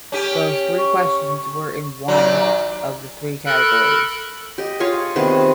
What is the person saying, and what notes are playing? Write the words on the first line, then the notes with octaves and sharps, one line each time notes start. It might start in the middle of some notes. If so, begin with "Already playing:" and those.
Those three questions were in one of three categories.
C#4 G4
C#6
D#2 A#2 F#3 D5
A4 A#4 B5 F#6
G4 D#5
F4 G#4 C#5 F5
C3 D#3 B3 G#4